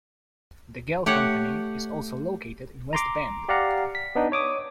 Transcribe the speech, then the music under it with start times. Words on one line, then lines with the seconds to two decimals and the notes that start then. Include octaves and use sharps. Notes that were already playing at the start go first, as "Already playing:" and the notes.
The Gehl Company is also located in West Bend.
1.06 A3 G4 C#5 F#5
2.93 A#5 C6 D6
3.49 G4 D5 F5 F#5 A#5
3.95 B6
4.15 B3 D4 D#4
4.32 C#5 D6 D#6